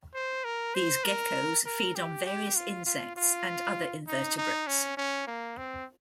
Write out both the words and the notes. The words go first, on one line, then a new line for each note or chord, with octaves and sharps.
These geckos feed on various insects and other invertebrates.
C5
A#4
C5
A#4
A#4
G4
G4
F4
F4
F4
D#4
D#4
C#4
C#4
A#3
C4